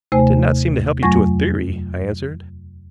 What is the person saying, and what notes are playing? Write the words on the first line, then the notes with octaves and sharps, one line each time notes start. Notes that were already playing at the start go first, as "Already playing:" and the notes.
"It did not seem to help you to a theory," I answered.
D#2 C3 A3 C5 G#5
F2 F#3 A3 G#5 C#6 A#6